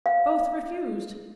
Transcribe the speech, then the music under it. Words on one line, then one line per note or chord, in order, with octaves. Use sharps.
Both refused.
F5